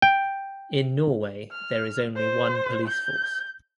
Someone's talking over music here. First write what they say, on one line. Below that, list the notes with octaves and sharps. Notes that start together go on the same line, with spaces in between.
In Norway there is only one police force.
G5
F6
C5
G6